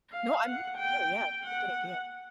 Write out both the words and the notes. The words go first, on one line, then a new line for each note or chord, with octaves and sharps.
No. I'm with you there, yeah. That's a good idea.
F5
F#5
G5
F#5